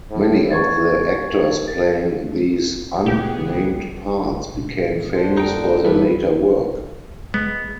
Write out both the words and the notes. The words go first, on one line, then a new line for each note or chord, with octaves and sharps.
Many of the actors playing these un-named parts became famous for their later work.
A2
E2 C#6 G#6 A6
D#2
A6
C#2 A#2 B3 G4 G#4
G1
A#2
D4 C5
F2 A#2 D3 D4 D#4 G5
G2 A3 B4
G#3 B3